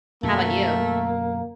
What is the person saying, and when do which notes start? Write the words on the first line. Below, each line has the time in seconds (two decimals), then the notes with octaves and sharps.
How 'bout you?
0.23 F#2 B2 D3 A3 A#3